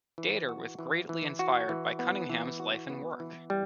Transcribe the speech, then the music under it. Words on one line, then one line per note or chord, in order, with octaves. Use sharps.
Dater was greatly inspired by Cunningham's life and work.
E3
F#4
E3
E3
F#4
E3
B3
E3
F#4
B3
E3
G3